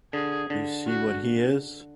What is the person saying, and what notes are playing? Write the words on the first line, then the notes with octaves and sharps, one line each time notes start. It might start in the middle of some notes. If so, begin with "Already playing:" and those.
You see what he is!
D3 G#4
D3
F#4